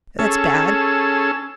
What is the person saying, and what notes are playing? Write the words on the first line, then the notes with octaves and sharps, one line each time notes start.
That's bad!
C#4 G#4 A4 E6